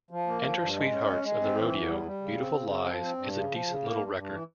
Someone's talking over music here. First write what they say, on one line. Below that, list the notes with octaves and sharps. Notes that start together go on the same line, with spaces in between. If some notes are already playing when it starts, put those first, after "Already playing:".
Enter Sweethearts of the Rodeo... Beautiful Lies is a decent little record.
F3
A#3
F3
G2
G#3
C#4
G#3
G#3
C4
E3
E2
G3
G3
C#3
C4
C#3
C4
F3
C4
G2
C#3
F3
C#3
A#3
G2
G2
E3